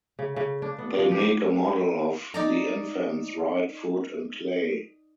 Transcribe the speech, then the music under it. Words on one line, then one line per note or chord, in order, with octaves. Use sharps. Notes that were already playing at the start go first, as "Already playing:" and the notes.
They make a model of the infant's right foot in clay.
C#3
C#3
D4
B3
F3
G4
D#4 D5 A#5